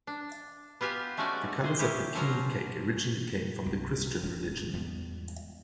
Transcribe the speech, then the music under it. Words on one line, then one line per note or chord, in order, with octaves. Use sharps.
The colors of the king cake originally came from the Christian religion.
D4
B3 F4 G4 G#5
G#3 A3 C#4 F#4 A4 D5
G#4 C5
C#4 E4 G4
F3 F#3 C#4 F4 C5 A#5
C2
D#1 G#3 C#4
E2 G#2 G3 B3